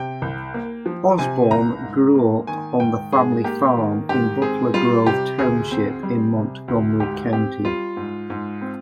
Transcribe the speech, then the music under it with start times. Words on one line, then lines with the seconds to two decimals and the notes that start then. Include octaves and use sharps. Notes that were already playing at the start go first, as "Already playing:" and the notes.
Osborn grew up on the family farm in Butler Grove Township in Montgomery County.
Already playing: C3 G5
0.22 C2
0.54 A#3
0.86 F3
1.19 C3 G#5
1.51 C2 A#5
1.84 G#2
2.15 A#3
2.47 D#3 G#5
2.80 G#2 G5
3.12 G#2 G#4
3.44 A#3 G4
3.77 D#3
4.09 G#2 G4
4.42 C4 G#4
4.74 G3 F4
5.07 C3 G4
5.39 D2 G#4
5.71 C4
6.03 G3
6.36 C3
6.68 D2
7.00 G#2 G4
7.33 C4 G4
7.65 G3 F4
7.97 G#2
8.30 G#2
8.61 C4